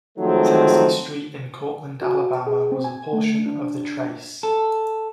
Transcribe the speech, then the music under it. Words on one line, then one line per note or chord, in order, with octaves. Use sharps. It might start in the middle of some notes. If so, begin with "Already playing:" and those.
Tennessee Street in Courtland, Alabama, was a portion of the trace.
D#3 F3 F#3 G#3 A3 C4
F#4
G#4
C4
G#5
A3
D4
A4